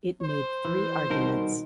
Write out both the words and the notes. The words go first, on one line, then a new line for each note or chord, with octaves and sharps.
It made three arguments.
C5
E3
C2 B2 D#3 A#4